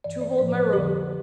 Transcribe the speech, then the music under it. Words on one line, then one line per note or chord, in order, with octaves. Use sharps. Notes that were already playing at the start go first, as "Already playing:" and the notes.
Two hold my rope.
G2 E3 D5
D5
A2 F3 C5
B4
F2 D3 F3 G4